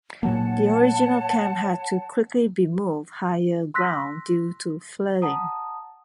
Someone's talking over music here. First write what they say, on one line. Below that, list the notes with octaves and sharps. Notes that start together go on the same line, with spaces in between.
The original camp had to quickly be move higher ground due to flooding.
A#2 F#3 A#3 C#5 F#5 A5
C6 E6 F#6 A#6 B6
F#5 A5 A#5 D#6